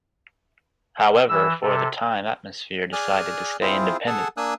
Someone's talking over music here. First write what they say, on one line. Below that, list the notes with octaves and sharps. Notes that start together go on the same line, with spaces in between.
However, for the time, Atmosphere decided to stay independent.
E3 E6
C3 A4
G#4 D5 G#5 D#6 F6 F#6
C4 E4 F4 G#4 C5
G#4 A4 F#5 G#5 A5
A#3 D4 G#5 D#6 E6 F#6